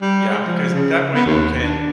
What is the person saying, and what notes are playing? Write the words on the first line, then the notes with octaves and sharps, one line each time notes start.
Yeah, because that way you can
G3
G#3
F3
C#3
B3
D#2
D4